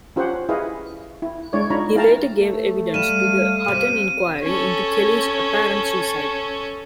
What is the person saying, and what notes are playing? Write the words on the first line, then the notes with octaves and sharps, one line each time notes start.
He later gave evidence to the Hutton Inquiry into Kelly's apparent suicide.
C#4 F4 G4 C5 C#5 F#5
E4 G#4 B4 D#5 F5
E4
G#3 D4 E4 C#5 D5
D4 D#4 F4 C#5 A#5 B5
A3 E4 F5 G5 A5 A#5
A3
G3 F5 D#7 E7
C3 A#3 D#7
C#4 A4